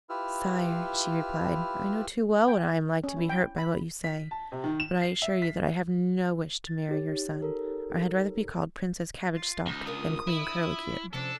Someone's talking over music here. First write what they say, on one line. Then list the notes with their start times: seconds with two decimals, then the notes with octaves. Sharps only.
'Sire,' she replied, 'I know too well what I am like to be hurt by what you say, but I assure you that I have no wish to marry your son I had rather be called Princess Cabbage-Stalk than Queen Curlicue.'
0.09 E4 F4 G4 B4 E6 F6
2.48 G5
3.04 C#4
3.17 E4
3.29 G5
3.58 B5
4.04 B6
4.31 A5
4.52 C3
4.64 D#3
4.80 E7
5.02 C7
5.22 E5
5.42 B6
6.67 A6
6.89 D#4 G4 C#5
7.42 A4 A#4
9.34 F4
9.66 C#2 D#4
9.86 D4 F4 A#4 D#6
10.27 E4
11.13 C3 F3 C#4 D4 A4